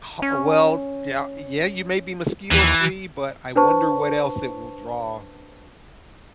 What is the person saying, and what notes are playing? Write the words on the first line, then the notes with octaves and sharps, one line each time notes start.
Ho oh, well, d yeah yeah, you may be mosquito free, but I wonder what else it will draw
C#4
D#2 E3
D4 B4 C5 A5 C#6